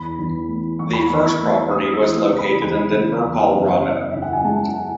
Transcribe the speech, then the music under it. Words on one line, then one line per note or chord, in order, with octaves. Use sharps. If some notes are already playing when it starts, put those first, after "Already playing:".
The first property was located in Denver, Colorado.
Already playing: E2 B5
E2
A3
E2 C#6
B5
E2 C#6
E6
A3
A3 D#6
E6
E3
D#6
C#3
B5
E2 B5
C#3
E2
F#1
F#2
C#3 E5
F#5
G#5
G#3 A5